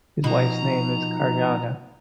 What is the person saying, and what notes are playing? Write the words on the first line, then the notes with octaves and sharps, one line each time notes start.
His wife's name is Karnjana.
B2 F3 D#4 A#5 B5